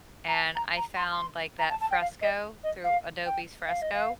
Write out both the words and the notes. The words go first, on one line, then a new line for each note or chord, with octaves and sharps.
and I found, like, that Fresco, through Adobe's Fresco,
A#5
A5
A#5
A#5
C6
C6
A#5
A5
A5
G5
F5
D#5
D#5
F5
G5
F5
D#5
F5